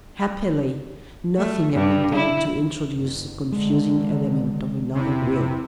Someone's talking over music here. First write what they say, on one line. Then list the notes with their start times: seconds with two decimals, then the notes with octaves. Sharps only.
Happily nothing had been done to introduce the confusing element of another will.
1.38 A3
1.73 G2
2.15 E4
2.94 F#1
3.52 D3 D#3 G#3
4.95 E2 C3 E4